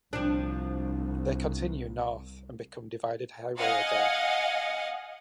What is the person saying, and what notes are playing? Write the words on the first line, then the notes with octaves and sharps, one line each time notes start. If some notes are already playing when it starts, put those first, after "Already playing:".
They continue north and become divided highway again.
C2 F3 D4
D#5 F5 F#5 G#5